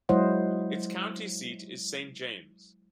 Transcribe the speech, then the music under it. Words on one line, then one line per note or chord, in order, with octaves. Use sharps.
Its county seat is Saint James.
F#3 G#3 E4 C5 D#5 F#5